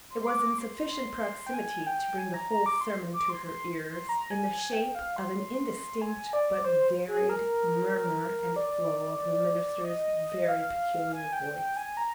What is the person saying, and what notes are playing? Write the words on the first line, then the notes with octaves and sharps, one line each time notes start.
It was in sufficient proximity to bring the whole sermon to her ears, in the shape of an indistinct but varied murmur and flow of the minister's very peculiar voice.
C6
D6
C6
C6
G5
G#5
G5
G#5
A#5
A#5
D6
C6
D6
C6
C6
C6
A#5
G#5
G#5
G5
F5
C6
G#5
D5
C5
G#4
A#4
D5
D#5
F5
G#5
G5
G5
G#5
A#5